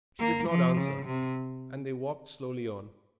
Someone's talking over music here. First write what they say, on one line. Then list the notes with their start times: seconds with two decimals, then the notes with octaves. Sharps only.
She did not answer, and they walked slowly on.
0.20 A#3
0.49 F3
0.78 C#3
1.06 C3